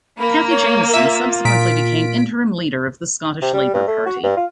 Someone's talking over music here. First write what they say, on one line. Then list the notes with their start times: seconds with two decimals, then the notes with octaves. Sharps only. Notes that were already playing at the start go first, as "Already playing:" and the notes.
Cathy Jamieson subsequently became interim leader of the Scottish Labour Party.
0.18 A#3 B5
0.50 C#5
0.93 F4 E5
1.45 A#2 B6 D7
3.42 C3
3.53 G3
3.74 G2
3.87 A3
4.06 F#4
4.23 G2
4.37 F4